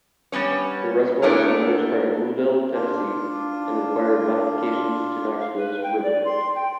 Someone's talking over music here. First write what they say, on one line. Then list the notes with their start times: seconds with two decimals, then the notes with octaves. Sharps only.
The reservoir submerged part of Louisville, Tennessee, and required modifications to Knoxville's riverfront.
0.32 G3 B3 C#4 C#5
1.22 A3 B3 D4 E4 G#4 A#4
2.74 D4 F4
5.40 F5
5.57 B4
5.83 G5
6.03 D5
6.25 C6
6.55 G5